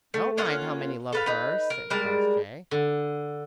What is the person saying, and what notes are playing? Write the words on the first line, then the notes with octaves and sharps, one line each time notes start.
"I don't mind how many love her," said Crossjay.
A3
A#3 C#4 F4 F#5
A4 B4 F5
D#4 B4
A#4
G3 G#3 A#4 A5
D3